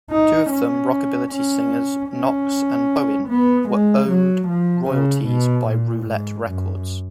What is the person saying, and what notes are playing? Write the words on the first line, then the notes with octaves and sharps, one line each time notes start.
Two of them, rockabilly singers Knox and Bowen, were owed royalties by Roulette Records.
D#4
C#4
C#4
C#4
B3
G#3
F#3
F3
C#3
B2
A#2
G#2
F#2